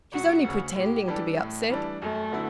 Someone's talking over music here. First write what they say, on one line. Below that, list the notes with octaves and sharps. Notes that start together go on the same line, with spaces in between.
She's only pretending to be upset.
E1 F#4
D2 C#3
A2 G4
E3 G3 D4 A4
A2 A3
E3 G3 D4 A4
F#2 A3
D3 F#3 B3 E4